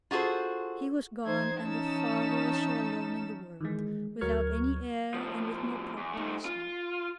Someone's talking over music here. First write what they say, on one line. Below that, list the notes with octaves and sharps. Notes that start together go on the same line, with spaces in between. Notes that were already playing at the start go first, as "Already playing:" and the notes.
He was gone, and the father was so alone in the world, without any heir and with no prop to his house.
F4 F#4 G#4 A4 C5
E3 D#4 C5 G#6
E3 C#4 D#4 A5 E6
D#3 E3 G#3
D2 F#3 A#4 C#6 F6 G#6
A2 F3
E2
A3 D#4
F4